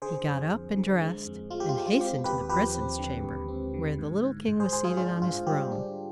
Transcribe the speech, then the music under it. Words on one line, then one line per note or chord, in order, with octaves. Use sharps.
He got up and dressed, and hastened to the presence chamber, where the little king was seated on his throne.
D3 G#4 C5
F2
F2
D3
G#3
F2
G#3 F4
G4
F4
G#3 G4
F4
C4 G4
D#2 G4 B4
F3 G4 B4
C4
D3
D#2
C4
D3
G#2
G#2
G#2
G#4 C5
G#2 G#4 C5
F4 G#4
D4 F4 G#4
G#2 F4
G3 G4
D4